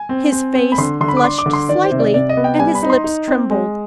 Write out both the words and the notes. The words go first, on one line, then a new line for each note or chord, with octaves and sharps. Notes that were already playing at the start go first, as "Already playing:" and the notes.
His face flushed slightly and his lips trembled.
Already playing: G#5
C4
C4
C4
B5
D3 C6
D3 C6
B5
D6
D4 C6
D6
D3
C6
D#3 D5
C5
C3
D5
C3 D5
D#5
B3
G5
G3 G#5
B5
D#4
C6
D#4
C4
G#3